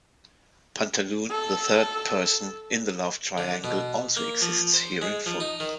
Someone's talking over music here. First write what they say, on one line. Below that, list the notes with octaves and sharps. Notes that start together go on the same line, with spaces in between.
Pantaloon, the third person in the love triangle, also exists here in full.
A4
D3
B2
A#3
F3
C5
G#3
F3
D#4
D#3